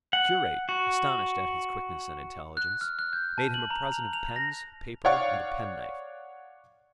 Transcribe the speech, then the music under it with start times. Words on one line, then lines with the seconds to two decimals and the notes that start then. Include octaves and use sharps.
The curate, astonished at his quickness and intelligence, made him a present of pens, paper, and a penknife.
0.13 F#5
0.69 F#4
2.57 F#6
2.81 F6
2.99 F#6
3.13 G6
3.38 A5
3.54 F#7
3.70 A#5
3.92 F7
4.13 F7
4.36 A#6
5.05 C#5 D5 F5 F#5 C#6